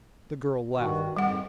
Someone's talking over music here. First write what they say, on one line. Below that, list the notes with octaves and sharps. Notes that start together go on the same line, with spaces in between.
The girl laughed.
G2 D#3 F#4
F2 G#2 G3 F#5